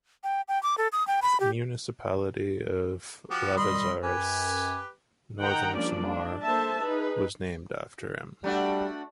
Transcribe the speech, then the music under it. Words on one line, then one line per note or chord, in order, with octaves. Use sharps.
The municipality of Lavezares, Northern Samar was named after him.
G5
G5
D6
A4
D#6
G5
B5
G4
F3 F#4 G4
B2 D#3 G3 D#5 B5 C6
F#2 G4 B4 G#5
D#3 D#4 F#5 G5 A#5
F3 G3 A#3 C#4 D4 D5
D4
A#3 A4 C5 E5 A5
D#4 G#4 B4
G3 A3 D4 F#4